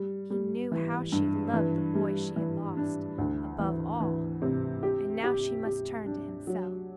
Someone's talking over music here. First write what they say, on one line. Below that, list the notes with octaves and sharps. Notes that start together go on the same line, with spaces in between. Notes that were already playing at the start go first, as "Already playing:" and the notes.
He knew how she loved the boy she had lost, above all, and now she must turn to himself.
Already playing: G3
G3
E3
G2
E3
G3
E3
D4
D2
E3
E3
C3
G4
G4
G4
D4
F#3